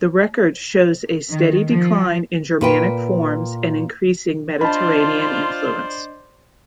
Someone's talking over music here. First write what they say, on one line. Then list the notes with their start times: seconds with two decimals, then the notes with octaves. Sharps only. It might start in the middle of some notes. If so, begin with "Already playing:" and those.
The record shows a steady decline in Germanic forms and increasing Mediterranean influence.
1.30 D#3
1.68 F3
2.61 A#2 B4 G5
4.61 D4 F4 C5 D5 D#5 A5 B5